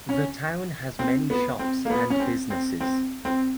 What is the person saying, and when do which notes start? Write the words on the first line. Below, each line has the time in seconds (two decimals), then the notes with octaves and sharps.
The town has many shops and businesses.
0.09 C#4
0.99 C4
1.30 B3
1.59 C4
1.85 A#3
1.90 B3
2.10 C#4
2.20 C4
2.50 C4
2.80 C4
3.25 C4